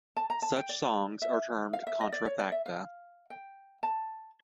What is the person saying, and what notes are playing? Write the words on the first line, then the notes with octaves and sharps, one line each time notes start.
Such songs are termed contrafacta.
A5
A#5
A5
G5
D5
E5
F5
E5
D#5
D5
C#5
D5
E5
F5
G5
A5